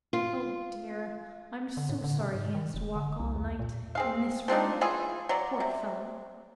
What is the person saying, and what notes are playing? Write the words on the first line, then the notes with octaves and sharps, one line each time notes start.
Oh, dear, I'm so sorry he has to walk all night In this rain. Poor fellow!
F4
D3
A2
D3
C3
G#2
D#3
F1
D3
C2
E2
A#2
C4 G#4 F5
F3 C4 D4 D#4
E3 E4 F4 G#4
F#3 C#5 D5
C3